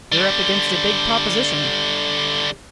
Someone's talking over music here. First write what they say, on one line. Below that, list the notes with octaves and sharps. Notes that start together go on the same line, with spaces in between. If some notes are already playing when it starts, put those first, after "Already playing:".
"You're up against a big proposition."
D3 G3